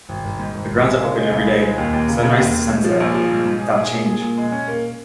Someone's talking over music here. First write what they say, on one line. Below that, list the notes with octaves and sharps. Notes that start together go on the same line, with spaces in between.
The grounds are open every day, sunrise to sunset, without charge.
G#1
G#1
G#2
G#1
G#1
G#3
C#3
G#3
C#2
C#2
G#3
D#2
D#2
C#3
C#3
D#2
D#2
G#2
F3
A#1
F3
G#2
G#2
G#4
G#4
A#2
G#4
A#2
G#3
C#4
A#3